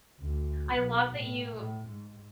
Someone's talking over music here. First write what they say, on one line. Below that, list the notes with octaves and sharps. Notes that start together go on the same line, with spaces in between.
I love that you
D2
B1
A2
A2
G#2